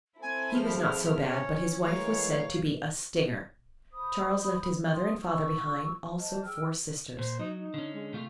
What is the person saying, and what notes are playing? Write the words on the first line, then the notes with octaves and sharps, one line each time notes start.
"He was not so bad, but his wife was said to be a 'stinger.'" Charles left his mother and father behind, also four sisters.
C4 E4 A4 G#5
G#2 F3 G#4 F6
C#4
E3 G#3 A3 A#4 C#5 F5
C5 B5 D#6
C6 D#6
F4 C#6 E6
C5 D#5 A5
G#4 G5 E6 F6
A#2 C5
F#3 D#4
D#4
D3 C#4
G#3
C3 A3 F4